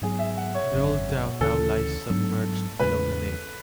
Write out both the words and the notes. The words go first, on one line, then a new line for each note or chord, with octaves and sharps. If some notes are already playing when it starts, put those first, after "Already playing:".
The old town now lies submerged below the lake.
G#2 F#3 B3 G#4
E5
F#5
C#5
G#1 F#2 C#3
D2 C#3 E3 A4
G#2 F#3 B3 D4
E2 C#3 G#3 B4